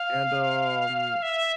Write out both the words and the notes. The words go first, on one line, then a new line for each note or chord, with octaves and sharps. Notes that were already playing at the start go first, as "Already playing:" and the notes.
and, um,
Already playing: F5
E5